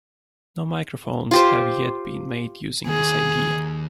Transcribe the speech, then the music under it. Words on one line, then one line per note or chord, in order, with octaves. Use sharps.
No microphones have yet been made using this idea.
F4 G4 C5
D#2 G#4